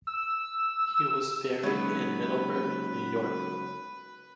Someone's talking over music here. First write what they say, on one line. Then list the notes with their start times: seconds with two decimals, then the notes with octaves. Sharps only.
He was buried in Middleburgh, New York.
0.07 E6
1.63 C#3 F#3 G#3 A#3 B3 D#4 B4